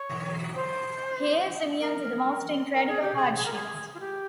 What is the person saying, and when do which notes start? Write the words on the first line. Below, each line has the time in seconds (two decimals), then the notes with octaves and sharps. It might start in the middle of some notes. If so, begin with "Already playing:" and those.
He is immune to the most incredible hardships.
Already playing: C#5
0.55 C5
1.80 A#4
2.74 A#4
2.88 G#4
3.02 G4
3.16 G#4
3.37 G#4
3.45 A#4
3.53 G#4
3.94 F4
4.00 G4